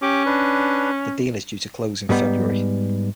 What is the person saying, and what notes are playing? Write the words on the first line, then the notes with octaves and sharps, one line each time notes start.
The deal is due to close in February.
C#4 G4 D6
D4 B4
G#2 G3 B3